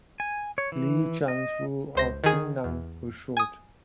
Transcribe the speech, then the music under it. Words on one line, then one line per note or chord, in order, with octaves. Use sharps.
Li Yichang's rule of Dingnan was short.
G#5
C#5
E3
D#5
C#2 C5 A#6
D#3 G#4
E2
G#5 D#6